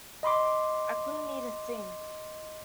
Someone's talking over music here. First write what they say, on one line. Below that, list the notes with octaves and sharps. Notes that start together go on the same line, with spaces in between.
I couldn't eat a thing.
D#5 B5 C6 D6